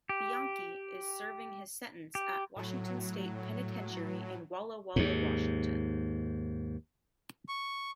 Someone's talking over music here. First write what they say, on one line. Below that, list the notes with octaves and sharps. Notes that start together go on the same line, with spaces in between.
Bianchi is serving his sentence at Washington State Penitentiary in Walla Walla, Washington.
G4
G4
A2 F#3
D#2 G#2
C#6